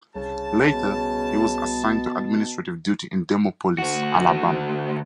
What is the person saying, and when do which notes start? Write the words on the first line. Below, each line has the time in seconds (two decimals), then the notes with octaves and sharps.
Later, he was assigned to administrative duty in Demopolis, Alabama.
0.16 C2 C#3 A5
0.73 B2
3.78 D2 F#4